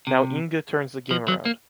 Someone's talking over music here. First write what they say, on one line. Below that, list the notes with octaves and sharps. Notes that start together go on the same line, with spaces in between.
Now Inge turns the game around.
C3
F3
F#3
A#3